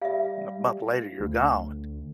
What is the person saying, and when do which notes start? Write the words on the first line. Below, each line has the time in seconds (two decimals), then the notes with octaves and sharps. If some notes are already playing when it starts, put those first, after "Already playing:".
and a month later you're gone,
0.02 G3 E5 F5
1.20 D2